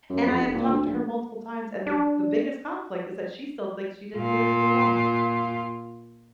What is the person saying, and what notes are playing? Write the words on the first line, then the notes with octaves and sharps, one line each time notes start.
and I have talked to her multiple times, and the the biggest conflict is that she still thinks she didn't do anything wrong.
F#2
F2
F1
A#2
D2
A#1
D4
A#2 F4